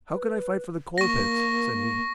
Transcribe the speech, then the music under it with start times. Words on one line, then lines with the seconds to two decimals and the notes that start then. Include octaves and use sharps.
"How can I fight for the coal-pits?" said he.
0.10 B4
0.98 A#3 C#6 A#6